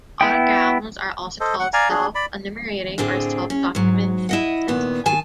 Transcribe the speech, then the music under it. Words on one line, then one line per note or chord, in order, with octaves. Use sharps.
Autograms are also called 'self-enumerating' or 'self-documenting' sentences.
B3 E4 G5
A4 C5 D#5
F#5
D5 F5 G#5 A#5
D4 G#4
D5 B5
A2 D3 C4 G#4
C#4
G#2 F#3
E4 D#5 F#5
A#2 D#3 B3
D#3 G#5 A5